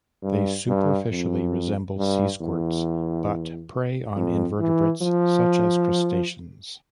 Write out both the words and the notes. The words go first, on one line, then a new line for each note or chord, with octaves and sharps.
They superficially resemble sea squirts but prey on invertebrates such as crustaceans.
G2
G2
F2
G2
E2
F2
E3
F3